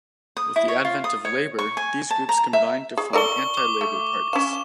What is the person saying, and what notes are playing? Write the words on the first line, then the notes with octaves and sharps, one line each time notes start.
With the advent of Labor, these groups combined to form anti-Labor parties.
D#6
E4
C#5
F4
D#6
C#5
C#6
G#5
A5
A#5
E5
G#4
A4 A#4 D5 C#6 G7
D6
A3
C#4 F5 E7